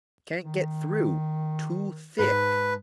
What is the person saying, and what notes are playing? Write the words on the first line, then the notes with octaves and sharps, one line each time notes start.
"Can't get through--too thick!"
D#3
G#2 D#4 B4 A5